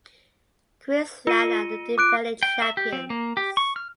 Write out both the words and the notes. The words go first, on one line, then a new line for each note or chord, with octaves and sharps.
Queensland are the defending champions.
F4 C#7 D#7
D6 F#6 D7
G5
E5
G4
C4
A#3
G4
C#6
F6